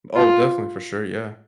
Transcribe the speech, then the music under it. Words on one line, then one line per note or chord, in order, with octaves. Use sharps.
Oh, definitely, for sure, yeah.
F4